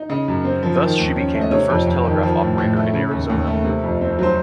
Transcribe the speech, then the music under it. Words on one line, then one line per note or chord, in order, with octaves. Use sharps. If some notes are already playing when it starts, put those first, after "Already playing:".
Thus she became the first telegraph operator in Arizona.
Already playing: D#4
C#3 D#5
F#2
C4
F3
D#3
D#2
C#4
A3
D#5
C3 C#5
F2
F2
D#3
F3
A2
A2
A3
C#3
D#2
D#2
A3
C3
F2
C4
F#3 C5